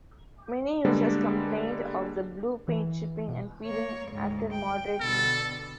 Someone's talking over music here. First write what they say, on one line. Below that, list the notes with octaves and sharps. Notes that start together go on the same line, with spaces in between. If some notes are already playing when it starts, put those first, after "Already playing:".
Many users complained of the blue paint chipping and peeling after moderate use.
D3 G3 G#3 A#3 B3 D4
E3
B2
A#3 C#5
D2 G#2
G5
B2 D3 A4